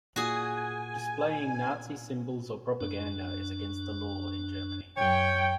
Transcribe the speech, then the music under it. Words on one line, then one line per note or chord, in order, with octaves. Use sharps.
Displaying Nazi symbols or propaganda is against the law in Germany.
A#2 F#4 G#4 G#5
F#2 D4
F#2 C#5 G5